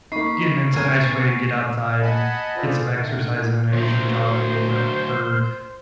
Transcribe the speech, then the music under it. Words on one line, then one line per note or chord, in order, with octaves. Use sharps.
getting into a nice way to get outside and get some exercise and I usually jog a little bit with her,
A#3 D#4 B5 C#6 C7
B3 A#4 G#5 G#6
D#5 F#5 G#5 A5 B5
F4 G#4 A4 B4 C5 D5
D3 D#3 A3
D2 F#3 C5